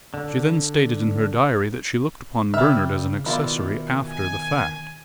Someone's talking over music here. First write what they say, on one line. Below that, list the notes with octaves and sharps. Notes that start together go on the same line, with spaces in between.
She then stated in her diary that she looked upon Bernard as an accessory after the fact.
D3
C#3 G3 E5 F6
B2 D#3 E4 F4 D5
G#5